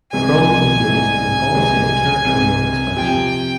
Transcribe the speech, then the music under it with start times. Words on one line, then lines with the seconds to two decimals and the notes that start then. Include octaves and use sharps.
Krum engaged in a policy of territorial expansion.
0.12 C2 C3 E3 G#3 C4 G#5
0.84 C2 C3 E3 G#3 C4
1.54 C2 C3 E3 G#3 C4
2.25 C2 C3 E3 G#3 C4
2.96 C3 F3 C4 G4 G5